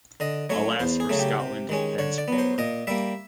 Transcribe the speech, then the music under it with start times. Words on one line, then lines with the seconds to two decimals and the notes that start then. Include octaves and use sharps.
Alas for Scotland thenceforward.
0.20 D3 D#5
0.50 F#3 A3 C#4 C#5
0.79 E2 C5
1.00 G#4
1.10 C#3 F#3 A3
1.19 G4
1.40 C3
1.69 D#3 G#3 C#4
1.98 D3 C#5
2.18 D5
2.28 F#3 B3
2.38 C5
2.58 A#2 D#5
2.87 G3 A#3 E5